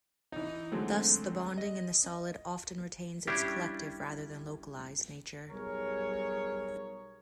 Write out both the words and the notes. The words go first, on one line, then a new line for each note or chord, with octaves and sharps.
Thus, the bonding in the solid often retains its collective rather than localized nature.
E3 D#4
D3 F#3 G#3 A3 C4
D#5
G3 C#4 D4 E4 G4
B1 G3 G#4 A#4 C#5